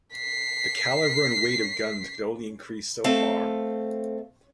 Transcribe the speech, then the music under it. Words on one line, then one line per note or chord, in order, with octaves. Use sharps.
The calibre and weight of guns could only increase so far.
B6 C7
A3 C4 A4 F5